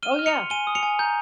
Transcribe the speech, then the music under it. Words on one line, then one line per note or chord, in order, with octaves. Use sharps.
Oh, yeah.
F6 D#7 G7
F6
C#7 F7
C6
G#5 D#7 G7
D#6
C#7 F7
G#5
A#5 G6